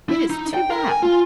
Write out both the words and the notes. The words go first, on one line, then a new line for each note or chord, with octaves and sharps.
It is too bad.
E4
D#4
G5
A#4
G#5
F4